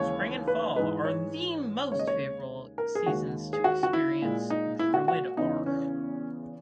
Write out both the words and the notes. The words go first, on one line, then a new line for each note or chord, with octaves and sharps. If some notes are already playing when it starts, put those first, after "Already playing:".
Spring and fall are the most favorable seasons to experience Druid Arch.
Already playing: D#2 C#3 E3 G#3 C#5
B4
G#2 E3 G#3 B4
C#5
D#2 C#3 G#3 C#5
D#5
C#5
A#4
G#4
D#2 D#3 G#3 F#4
G#4
F#4
F#4
E4
A#2 G#3
D#4
E4
F#4
F#4
E2 C#3 E3 D#4
C#4